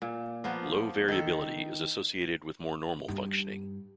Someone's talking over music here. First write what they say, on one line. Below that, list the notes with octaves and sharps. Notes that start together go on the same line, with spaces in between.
Low variability is associated with more normal functioning.
A#2
F3 A#3 B3
D#3 A4
G2